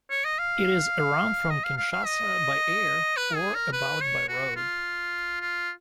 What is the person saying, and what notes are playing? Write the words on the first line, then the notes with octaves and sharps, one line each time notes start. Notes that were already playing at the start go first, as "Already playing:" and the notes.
It is around from Kinshasa by air, or about by road.
C#5
D#5
F5
D#5
F5
F5
F5
D#5
B4
G#4
A#4
B4
C#5
F#4
F4
F4